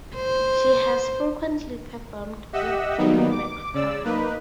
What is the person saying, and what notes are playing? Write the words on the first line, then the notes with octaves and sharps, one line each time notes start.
She has frequently performed with Drew McConnell.
C5
G4 D#5 E5 F#5 E6
D#3 F#3 G3 A#3 B3 D#4
D6
C#3 D5 E6
A#3 D#4 B4